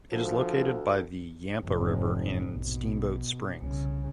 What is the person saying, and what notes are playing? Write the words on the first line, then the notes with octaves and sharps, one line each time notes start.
It is located by the Yampa River in Steamboat Springs.
D2 F3
F1 G#2
A#1 B2
C2 C#3